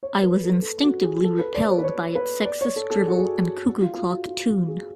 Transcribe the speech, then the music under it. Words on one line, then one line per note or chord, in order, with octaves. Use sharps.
I was instinctively repelled by its sexist drivel and cuckoo-clock tune.
C#5
B4
A4
A4
F#4
G#4
A4
B4
D5
D5
C#5
B4
C#5
B4
D5
C#5
A4
A4
G#4
F#4
G#4
F#4
F4
F4
F#4
F4
F#4
G#4